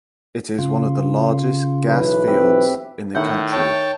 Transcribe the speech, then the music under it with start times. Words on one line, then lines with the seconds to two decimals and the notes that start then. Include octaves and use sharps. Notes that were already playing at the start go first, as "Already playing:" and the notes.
It is one of the largest gas fields in the country.
0.59 C#3 F4
1.87 B1 E3 B4
2.28 C4 G4 E5
3.15 A2 D#3 E5 F#5 G6
3.52 C#5 G5 A5